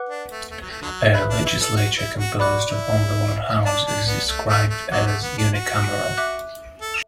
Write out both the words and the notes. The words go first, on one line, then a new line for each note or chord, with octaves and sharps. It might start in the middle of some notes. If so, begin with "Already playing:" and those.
A legislature composed of only one house is described as unicameral.
Already playing: B4 F#5 D6 F#6
D4
A3
A3
F#3
A3
D3 F#3
A3 B4 E5 B5 F#6
D4
E4
A4
F#4
E4
F#4
F#4 D5 B5 D6 F#6
E4
D4 D5 A5 D6
D4
B3
A3
A3
A3
F#3 F#5 D6 F#6
A3
B3
D4
F#4
E5 D6 F#6
A4